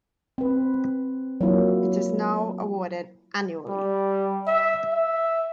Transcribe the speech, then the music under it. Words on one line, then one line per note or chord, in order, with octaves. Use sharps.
It is now awarded annually.
C4 B4
F#3 A#3 E4 F4
G3
E5
E5